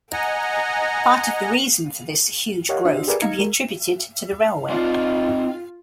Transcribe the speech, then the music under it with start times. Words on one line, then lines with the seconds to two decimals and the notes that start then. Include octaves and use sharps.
Part of the reason for this huge growth can be attributed to the railway.
0.13 D#5 F#5 G#5 A#5
2.69 G4 A#4 C#5 D#5 F5 F#5
2.85 D4 F#4 C5 D#5 E5
3.07 G4 G#4 A#4 B4 D5 G#5
3.22 D#4 D#5 F5 A#5 G#6 C#7
3.39 G#3 A#4
4.70 C4 D#4 F4 D5